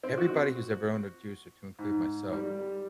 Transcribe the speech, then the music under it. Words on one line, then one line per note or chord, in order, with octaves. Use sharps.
everybody who's ever owned a juicer, to include myself,
C4
F#4
G#2
G3